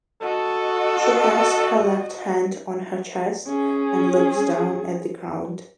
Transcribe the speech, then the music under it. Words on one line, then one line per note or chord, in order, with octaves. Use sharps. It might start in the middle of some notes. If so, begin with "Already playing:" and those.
She has her left hand on her chest and looks down at the ground.
F#4 A4 D#5
C#4 G#4